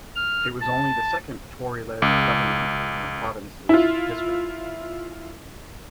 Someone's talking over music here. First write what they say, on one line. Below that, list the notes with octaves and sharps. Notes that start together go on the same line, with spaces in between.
It was only the second Tory-led government in the province's history.
F6
A5
C#2
E4 F4